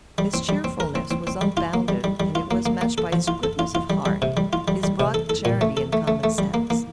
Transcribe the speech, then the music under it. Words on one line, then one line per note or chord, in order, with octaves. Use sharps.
His cheerfulness was unbounded, and it was matched by his goodness of heart, his broad charity, and common sense.
G3
C4
G3
C4
A#4
C4
C4
C4
G3
F4
A#3
G3
G3
G3
F4
A#3
A#3
A#3
A4
F3
F4
A4
F4
F4
G3
G3
C3
G3
F4
G3
G3
C3
A4
A4
A#2
A3
A4
A3
A3
A3
G3
A#3
A#3